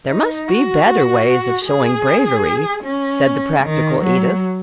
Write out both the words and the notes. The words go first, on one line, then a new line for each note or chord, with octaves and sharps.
"There must be better ways of showing bravery," said the practical Edith.
D#4
F#4
G#4
C#4
D#3
F#3